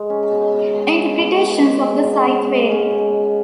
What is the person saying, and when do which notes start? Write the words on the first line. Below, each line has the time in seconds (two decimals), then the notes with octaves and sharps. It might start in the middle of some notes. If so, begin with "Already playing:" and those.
Interpretations of the site vary.
Already playing: G#3
0.10 C#4
0.32 B2
0.53 B2
0.75 G#3
0.96 C#4
1.18 B2
1.39 B2
1.60 G#3
1.82 C#4
2.03 B2
2.25 B2
2.46 G#3
2.69 C#4
2.90 B2
3.11 B2